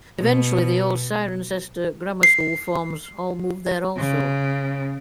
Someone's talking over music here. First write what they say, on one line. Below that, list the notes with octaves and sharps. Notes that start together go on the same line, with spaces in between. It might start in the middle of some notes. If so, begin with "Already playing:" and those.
Eventually the old Cirencester Grammar School forms all moved there, also.
B2
C7
C#3